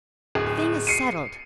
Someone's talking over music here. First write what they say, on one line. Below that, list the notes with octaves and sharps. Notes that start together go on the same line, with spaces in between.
The thing is settled.
D1 G#4
C7 C#7 D#7